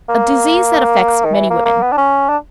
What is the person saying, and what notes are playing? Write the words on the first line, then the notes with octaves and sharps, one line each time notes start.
A disease that affects many women.
A#3
D#3
E3
A#3
A#3
B3
D4
C#4
D4